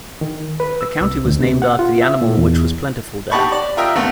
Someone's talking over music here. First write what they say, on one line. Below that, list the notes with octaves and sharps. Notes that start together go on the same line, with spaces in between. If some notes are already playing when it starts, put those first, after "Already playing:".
The county was named after the animal which was plentiful there.
D#3
B4
E6
C2
D2
C3
F#5
F4
E5
A#2
E2
D#4 G4 F#5 A5 B5 C#6
D5
F4 A#4 D#5 E5 G5
G#1 A3 B3 F4